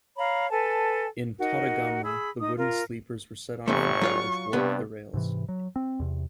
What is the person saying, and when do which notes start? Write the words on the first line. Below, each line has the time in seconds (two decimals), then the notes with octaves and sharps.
In Totagamuwa, the wooden sleepers were set on fire which warped the rails.
0.17 C#5 F5 A#5 B5
0.50 A4 B4 G#5 A5
1.38 D#4 F#4 A#4
2.03 G#4 B5 E6
2.39 D#4 D#6
2.56 F4 A#4
3.68 G1 E2 C3 A3 C#6
4.01 F#3 F4 F5
4.53 G2 C3 B3
5.14 G#2 C3 E3
5.49 F#3
5.76 C4
5.99 E2 C3